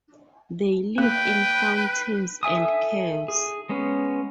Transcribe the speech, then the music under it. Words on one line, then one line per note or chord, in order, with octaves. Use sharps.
They live in fountains and caves.
A#3 B4 G5
A4 E5 G#5 D#6
G#4
G#3 B3 C#4